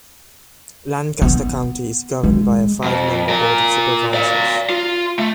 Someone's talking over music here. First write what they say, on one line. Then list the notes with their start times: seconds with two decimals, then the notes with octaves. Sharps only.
Lancaster County is governed by a five-member board of supervisors.
1.22 B3
2.23 G#3
2.84 F2
3.29 F4 A#4
4.14 D5 F5
4.69 F4
5.19 A3